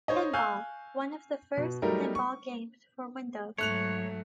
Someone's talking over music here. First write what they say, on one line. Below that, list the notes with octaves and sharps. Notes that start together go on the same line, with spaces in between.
Pinball, one of the first pinball games for Windows.
D#4 C5 C#5 D#5
F5 G#5 C#6 E6 F#6 G6
B2
F#3 G3 A3 D#4 A#4
C#6
G#2 F#3 A3 C#5 F#6 F7